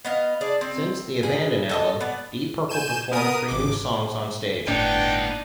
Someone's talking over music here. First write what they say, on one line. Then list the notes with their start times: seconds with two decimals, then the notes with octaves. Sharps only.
Since the "Abandon" album, Deep Purple performed three new songs onstage.
0.05 B3 D#5 F5
0.41 D4 G#4 D5
0.61 C4
1.23 B2 D3 G#4
1.69 A4 D#5 A5
2.01 B3 D5
2.69 G#5 G6 D#7 E7
3.11 B3 A#4 D#6 D#7
3.48 G#1 D6
4.68 G1 A2 B3 D4 D#4 G5